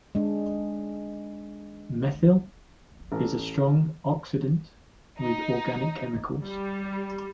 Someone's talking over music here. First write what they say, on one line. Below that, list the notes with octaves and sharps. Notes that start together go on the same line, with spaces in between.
Methyl is a strong oxidant with organic chemicals.
G#3 D4
A1
D#4
G3